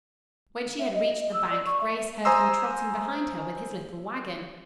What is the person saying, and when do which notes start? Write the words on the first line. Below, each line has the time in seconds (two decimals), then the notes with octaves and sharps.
When she had reached the bank, Grace heard him trotting behind her with his little wagon.
0.79 E5
0.94 D#5
1.17 D#5
1.34 E6
1.51 D5
1.66 C#6
1.81 E5
1.97 E5
2.25 C5 G#5 A#5 C6 D#6 E6